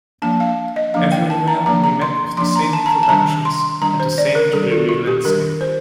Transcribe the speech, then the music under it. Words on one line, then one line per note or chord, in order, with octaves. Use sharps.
Everywhere we met with the same productions, and the same dreary landscape.
F3 A#3 D4 A5
F5
D#5
F3 A#3 D4 F5
G5
A5
A#5
F3 A#3 D4 A#5
A#5
C6
F3 A#3 D4 C6
A#5
A5
A#5
A5
A5
D#3 G3 D4 A#5
C6
D#3 G3 D4 A#5
C5
D5
A#4
D#3 G3 D4 A4
F4
F4
G4
D#3 G3 D4 A#4
C5